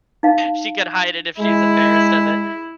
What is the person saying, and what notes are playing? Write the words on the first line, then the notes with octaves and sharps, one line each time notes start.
she could hide it if she's embarrassed of it.
D#4 F5 A5
G#3 E4